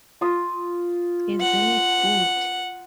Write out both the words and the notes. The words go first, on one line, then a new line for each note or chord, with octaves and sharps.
Isn't it good!
F4 D#6
F#5